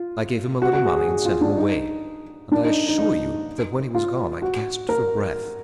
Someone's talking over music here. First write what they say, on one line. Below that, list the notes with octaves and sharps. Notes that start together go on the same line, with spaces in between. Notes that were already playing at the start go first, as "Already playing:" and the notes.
I gave him a little money and sent him away, and I assure you that when he was gone I gasped for breath.
Already playing: F4
F#4
F#4
G#4
G#4
F#4
F4
D4
D#4
D4
D#4
D#4
D#4
F4
F#4
A#4